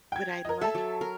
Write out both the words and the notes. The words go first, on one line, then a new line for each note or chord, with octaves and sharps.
But I'd like
G5 G#6
A#4 D#5
A4 E5 A5
F#3
A#4